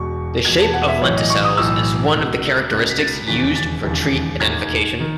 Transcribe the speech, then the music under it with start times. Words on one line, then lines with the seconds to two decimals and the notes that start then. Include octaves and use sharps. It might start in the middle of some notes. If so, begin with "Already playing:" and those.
The shape of lenticels is one of the characteristics used for tree identification.
Already playing: E1 E2 B2 C#6
0.45 E1 E2 B2 G#6
0.60 A5
0.74 F#5
0.88 E5
1.02 B1 A2 E3 C#5
1.16 D#5
1.30 C#6
1.44 D#6
1.58 B1 A2 E3 E6
2.14 C#2 B2
2.71 C#2 B2 F#6
2.89 B6
2.99 A6
3.27 E1 D#2 C#3 E3 B6
3.55 A6
3.83 E1 D#2 C#3 E3
4.40 E1 D#2 D#3 G#6
5.00 D#3